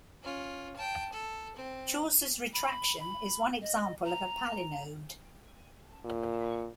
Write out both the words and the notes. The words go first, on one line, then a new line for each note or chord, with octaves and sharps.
Chaucer's Retraction is one example of a palinode.
C#4 F4
G5 A5
A4
C4
B5
B5
D#5
A#5
A#2